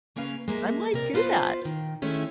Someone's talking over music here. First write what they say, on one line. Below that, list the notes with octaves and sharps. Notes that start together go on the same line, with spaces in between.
I might do that.
C#3 A#3 C#4 B4 F5
G#3 A#3 E5
C3 A#4 D5
B3 F4 B4 C5
A#2 D#3
D#3 G#3 A3 C#4 E4